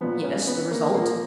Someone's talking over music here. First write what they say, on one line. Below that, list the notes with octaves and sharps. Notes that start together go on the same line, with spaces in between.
"Yes, the result?"
A#2 F3 B3
C#4
B3
A#3
A#2 F3 A#3